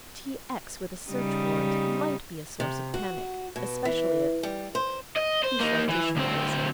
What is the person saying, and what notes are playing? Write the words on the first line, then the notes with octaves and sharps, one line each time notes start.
T. X. with a search warrant might be a source of panic especially if--he shrugged his shoulders.
C#3 G3 D#4
C3
F#4
B2
E3
G3
C5
D#5
C5
A#3 D#4
E3
D2 C4